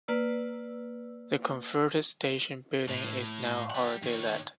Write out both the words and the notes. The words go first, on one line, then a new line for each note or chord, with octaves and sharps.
The converted station building is now a holiday let.
A#3 B4 D5 E6
A2
G3 F#5
D#3 C#5